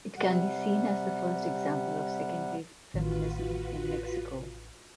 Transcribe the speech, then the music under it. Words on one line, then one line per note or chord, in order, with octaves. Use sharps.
It can be seen as the first example of second wave feminism in Mexico.
C3 G3 F#5
A1 D#3 F4 F#4 B4